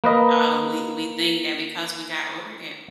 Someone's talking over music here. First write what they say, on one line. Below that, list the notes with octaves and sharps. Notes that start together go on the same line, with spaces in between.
uh, we we think that because we got older that
A#3 B4 D#5